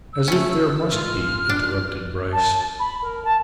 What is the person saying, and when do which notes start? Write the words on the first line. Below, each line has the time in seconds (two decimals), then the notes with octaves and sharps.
"As if there must be!" interrupted Bryce.
0.13 E6
0.28 A3 C#4
0.91 G#2 F4 F6
1.49 D4
2.32 A5
2.79 B5
3.02 A#4
3.24 A5